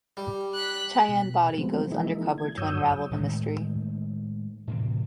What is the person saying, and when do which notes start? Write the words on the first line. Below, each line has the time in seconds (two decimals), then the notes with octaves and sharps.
Cheyenne Bodie goes undercover to unravel the mystery.
0.17 G3
0.54 F#6 B6
1.09 B2
1.58 F3 F#3 G#3 A3 B3 C4
1.92 E3 F3 G#3 A#3 D#4 E4
2.38 G#6
2.58 G2 F#3 C#5 D#6 E6 G6
3.11 A2 D#3 G#3 A3
4.67 A2 C3 E3 C4